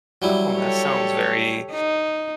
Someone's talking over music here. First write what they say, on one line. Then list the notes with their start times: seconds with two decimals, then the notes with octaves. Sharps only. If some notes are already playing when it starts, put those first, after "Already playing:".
Oh, that sounds very,
0.22 F#3 G3 E4
0.56 G4 A4 C#5
1.71 D#4